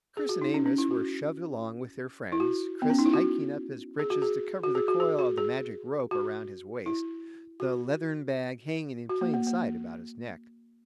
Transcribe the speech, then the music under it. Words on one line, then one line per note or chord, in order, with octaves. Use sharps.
Chris and Amos were shoved along with their friends, Chris hiking up his breeches to cover the coil of the magic rope around his waist; the leathern bag hanging in plain sight about his neck.
G#4
F#4
D#4
C#4
C#4
E4
F#4
E4
F#4
B3
C#4
D#4
E4
F#4
G#4
F#4
G#4
F#4
G#4
F#4
G#4
F#4
G#4
F#4
E4
F#4
F#4
A#3
A#3
A#3